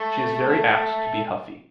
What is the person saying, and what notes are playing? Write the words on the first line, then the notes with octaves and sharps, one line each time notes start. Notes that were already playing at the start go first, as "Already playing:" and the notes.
She is very apt to be huffy.
Already playing: A3